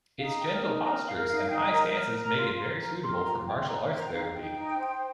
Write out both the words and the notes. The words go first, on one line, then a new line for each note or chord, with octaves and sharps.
Its gentle postures and high stances make it very suitable for martial arts therapy.
D#4 F5
A#4 G5
D#4 A#5
G5
A#4 A#5
A#4 F5
D#4 F5
D#5
F5
D#4 G5
A#4 A#5
A#4
A#4
A#5
F4
A#4
A#4 A#5
A#4 C6
C6
F4 A#5
F4 G5
D#4 A#5
C5 G5
A#5
G5
D#4 F5
D#4 G5
D#4
C5